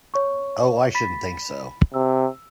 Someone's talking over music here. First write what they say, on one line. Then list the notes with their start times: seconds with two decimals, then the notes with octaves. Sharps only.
Oh, I shouldn't think so.
0.14 C#5 C#6
0.95 B5 A6 B6
1.94 C3 E6